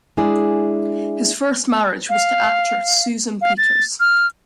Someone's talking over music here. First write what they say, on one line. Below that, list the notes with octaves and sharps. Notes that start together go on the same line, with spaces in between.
His first marriage was to actress Susan Peters.
G#3 D4 E4 G#4 D5
F5
F5
A6
F6